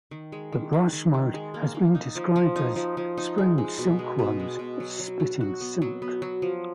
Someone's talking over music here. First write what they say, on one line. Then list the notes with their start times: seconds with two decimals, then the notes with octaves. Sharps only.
The brush-mode...has been described as 'spring silkworms spitting silk'.
0.11 D#3
0.32 G#3
0.52 D#3
0.73 D#3
0.93 D#3
1.14 D#3
1.35 G#3
1.54 A#3
1.75 A#3
1.95 D#4
2.15 F3
2.36 F3
2.56 D#4
2.76 F3
2.97 F3
3.17 D#4
3.38 G#3
3.58 G#3
3.78 B2
3.99 G#3
4.19 B2
4.40 G#3
4.59 B2
4.80 F#3
5.00 F#3
5.20 F#3
5.41 F#4
5.61 B3
5.82 F#3
6.02 B3
6.22 F#3
6.42 F3